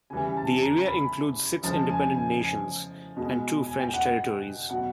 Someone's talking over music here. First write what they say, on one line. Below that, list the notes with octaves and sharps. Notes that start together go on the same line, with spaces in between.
The area includes six independent nations, and two French territories.
C#3 E3 G3 G#5
A5
A#5
B5
C#3 F3 G#3 A5
G#5
G#5
G#5
B2 G#3
G#5
G5
F#5
B2 F#3 F#5